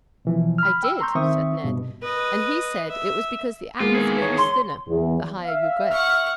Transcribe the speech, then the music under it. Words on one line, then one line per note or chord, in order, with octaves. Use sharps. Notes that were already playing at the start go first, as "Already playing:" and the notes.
"I did," said Ned, "and he said it was because the atmosphere was thinner, the higher you get."
B2 E3 F3
B5 F6
G5 E6
A#5 C6 C#6 G6
D#3 C4 E5 C#6 D#6
G2 B2
B4 D#5
E5
G#3 A#3 B3 F4
D#3 E3 G#4
C#5
C6
E2
E5 F5
F#5 C#6 F6